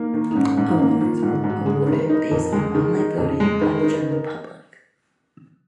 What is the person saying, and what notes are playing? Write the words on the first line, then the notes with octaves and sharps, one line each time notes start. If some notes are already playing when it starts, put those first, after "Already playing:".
Awards are awarded based on online voting by the general public.
Already playing: A#3 D#4
D#3
D#4
G#2 C#4
G#2
D#4
A#3 C#4
D#4
D#3 F4
F4
G#2
G#2
F#4
G#3 G#4
B4
D#3
B4
A#4
D#4
B4
F2 A#4
G#3
D#3 G#4
D#4
F2
G#3
D#3 B4
A#4
D#4
B4
A#4